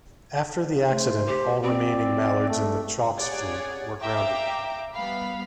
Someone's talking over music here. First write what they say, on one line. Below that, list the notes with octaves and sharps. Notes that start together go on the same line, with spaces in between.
After the accident all remaining Mallards in the Chalk's fleet were grounded.
A3 C5
G4
C4 D5
A3
G4 G#4 C#5 D5 F#5
E5 F5 G5 A#5 D6
G3 B3 F5 B5